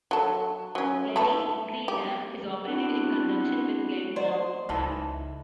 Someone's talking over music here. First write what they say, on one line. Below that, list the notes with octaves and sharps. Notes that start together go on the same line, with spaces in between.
Glennies Creek Dam is operated in conjunction with Glenbawn Dam.
F#3 A4
F#3 C#4
A3 A4 B4
G4
B3 C4 D4 E4 F#4 F#5
C5 D5 D#5 F#5
C#2 E3 D#4 A4